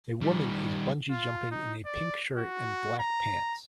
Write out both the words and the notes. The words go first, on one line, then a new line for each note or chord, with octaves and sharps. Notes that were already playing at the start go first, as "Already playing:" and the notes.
A woman is bungee jumping in a pink shirt and black pants.
D#3 G3
F4
D#4
D5
F#4
A#5